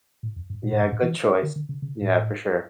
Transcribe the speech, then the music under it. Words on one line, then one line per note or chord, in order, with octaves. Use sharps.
Yeah, good choice. Yeah, for sure.
A2
F2
G2
A#2
A2
G2
A2
E3
D3
D3
C#3
C#3
A2